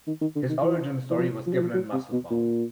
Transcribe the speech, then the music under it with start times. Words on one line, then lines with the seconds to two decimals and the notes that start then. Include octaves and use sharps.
His origin story was given in "Musclebound".
0.07 D#3
0.21 D#3
0.35 D3
0.49 D#3
0.62 E3
1.10 E3
1.18 F3
1.47 F3
1.53 F#3
1.61 F3
1.74 F#3
1.92 C3
2.12 B2
2.30 A#2